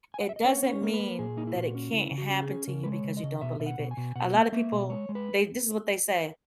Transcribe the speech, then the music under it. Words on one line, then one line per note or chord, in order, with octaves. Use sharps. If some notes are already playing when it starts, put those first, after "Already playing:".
it doesn't mean that it can't happen to you because you don't believe it. A lotta people, they this is what they say.
G#5
F#5
E5
D#5
C#4 C#5
C#4
C#5
A#3 A#4
B4
A#3
A#2 G#4
A#3 D#4
E4
A#2 F#4
C#4
C#3 E4
C#3
F#4
C#4
G#4
C#4
C#3 A#4
G#3 B4
C#5
C#3
D#5
C#3
B2 E5
B2 E5
F#5
B2
G#5
B2
B2 F#5
A#3
D#5
A#3 E5
B2
G#3 C#5
G#3
B4